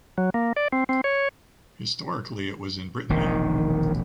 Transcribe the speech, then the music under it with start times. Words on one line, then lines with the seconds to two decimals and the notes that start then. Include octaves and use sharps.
Historically it was in Brittany.
0.18 F#3
0.34 A#3
0.56 D5
0.72 C4
0.89 C4
1.04 C#5
3.10 E1 A#1 C3 D#3